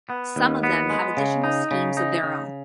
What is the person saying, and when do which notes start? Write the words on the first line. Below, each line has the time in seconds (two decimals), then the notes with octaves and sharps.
Some of them have additional schemes of their own.
0.10 B3
0.36 D#2
0.63 B3
0.90 G#3
1.17 C#3
1.44 D#4
1.71 C#3
1.97 D#4
2.23 C#3